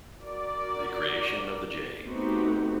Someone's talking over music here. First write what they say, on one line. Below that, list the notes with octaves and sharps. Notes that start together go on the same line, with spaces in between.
The creation of the J.
F#4 A#4 D5
A3 B3 C4 D#4 F#4 G4